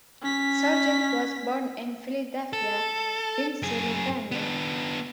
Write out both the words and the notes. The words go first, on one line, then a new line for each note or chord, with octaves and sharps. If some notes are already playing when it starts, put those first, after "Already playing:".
Sargent was born in Philadelphia, Pennsylvania.
C#4 B6
A4
F#2 G#4
B3 D4